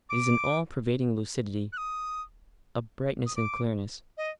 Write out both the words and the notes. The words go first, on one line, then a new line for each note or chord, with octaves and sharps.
It is an all-pervading lucidity, a brightness and clearness.
D6
F#6
D#6
D#6
D6
D#5